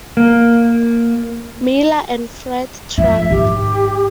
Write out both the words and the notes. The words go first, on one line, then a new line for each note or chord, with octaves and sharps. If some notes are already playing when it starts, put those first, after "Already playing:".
Miller and Fred Trump.
A#3
F3 E5
G#1 G4